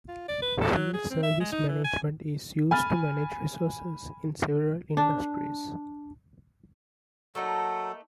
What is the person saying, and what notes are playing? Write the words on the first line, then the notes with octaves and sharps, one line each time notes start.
Field service management is used to manage resources in several industries.
F4
D5
B4
A4
F#3
G#4
C4
E5
G#3
D#4
E3
G#5
G#5 B5 F6 A6
D4
F#3 A3 A#3 D#4 A4